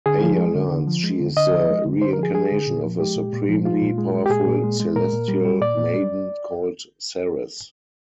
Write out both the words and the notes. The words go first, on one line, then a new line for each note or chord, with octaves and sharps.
Aya learns she is the reincarnation of a supremely powerful celestial maiden called Ceres.
D3 G#4
F3
G#3
D3
D3
F3
G#3
D3
D3 D#5
F3
G#3
D3
D3 C5
A#4
F3 G#4
G#3 G#4
D3
A#2
F3
G#3 G4
A#2
A#2
F3
G#3 F4
A#2
G#3
G#3
G4
A#2 G#4
A#2
G#3
G#3
A#2 A#4
A#2
G3
G3
A#2 D5
A#2
G3